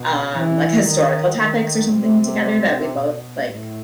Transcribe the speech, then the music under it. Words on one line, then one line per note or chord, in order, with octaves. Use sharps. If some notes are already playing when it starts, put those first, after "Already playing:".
um, like historical topics, or something, together that we both like.
Already playing: B2
E3
D#3
D#3
C3
B2
A2